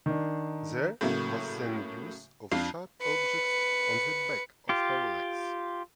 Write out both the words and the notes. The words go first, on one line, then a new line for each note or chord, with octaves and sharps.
There was then use of sharp objects on the back of her legs.
D#3 D4
A2 C#3 F#3 A3 A#3
F2 D4 F4 C7
B4 C#7
F4 G4